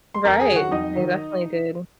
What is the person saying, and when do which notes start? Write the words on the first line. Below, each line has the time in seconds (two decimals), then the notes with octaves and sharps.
Right. They definitely did.
0.14 C6
0.25 F2 A#4 A#5
0.40 G#4 G#5
0.49 D#3 F#3
0.56 F#4 F#5
0.71 F2 D#4 D#5
0.96 D#3 F#3